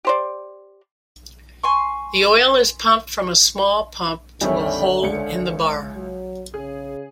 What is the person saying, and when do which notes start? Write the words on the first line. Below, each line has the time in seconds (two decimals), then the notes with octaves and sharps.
The oil is pumped from a small pump to a hole in the bar.
0.05 G4 C5 D5
1.63 G#5 C6 C#6
4.41 F2 D3 D#3 G3 C#5 E5 G#5
5.03 C#2 C#7
5.95 F#3
6.54 C#3 G#4